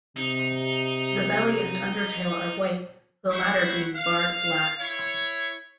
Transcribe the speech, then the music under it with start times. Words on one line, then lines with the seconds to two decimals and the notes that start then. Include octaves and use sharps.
The belly and undertail are white, the latter being barred black.
0.17 C3 D#4
3.31 E4 G4 C5 F#5 C#6
3.95 F5
4.80 E4 C#5